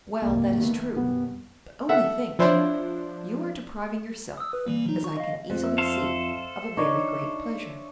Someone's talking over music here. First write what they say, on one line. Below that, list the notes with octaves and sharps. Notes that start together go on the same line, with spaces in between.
"Well, that is true; but only think! you are depriving yourself, as I can easily see, of a very great pleasure."
F#1 C2 G#2 A#3
D#3 A3 B3
F#2 B2 G3 B3
A4 E5 F#5
F3 D4 E4 C5 C#5
D#6 E6
B4
E3 G3 A#3
F#3 D#4
C#6
D#5 F5
F2
E5
A4 C5 F5
D4 D#4 C#5